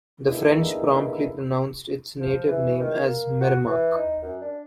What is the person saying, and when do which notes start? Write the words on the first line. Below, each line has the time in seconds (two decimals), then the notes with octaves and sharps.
The French promptly pronounced its native name as "Merremack".
0.25 D3 G#3 A#3 B3 D#4 E4
2.20 F3
2.47 E3
2.80 D#3
3.01 A#3
3.41 F#4
3.66 E3
3.95 D#4
4.22 F#2
4.41 D4